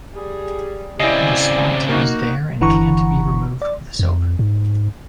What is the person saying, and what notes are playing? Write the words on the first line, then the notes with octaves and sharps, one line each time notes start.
The spot is there and can’t be removed with soap.
G3 G#4
C#3 C4 E4 D5 D#5 G#5
A#3 D#4 F#4
G1 D3 E3 F#5 A#5 C#6
D5
F2
G#2